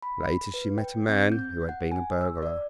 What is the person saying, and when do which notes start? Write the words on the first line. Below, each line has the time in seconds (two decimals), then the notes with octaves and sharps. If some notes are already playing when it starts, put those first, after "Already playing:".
Later she met a man who had been a burglar.
0.02 B5
0.54 B4
0.78 G5
1.08 C4
1.32 G6
1.69 F#5
1.91 G#5
2.21 E6
2.43 D5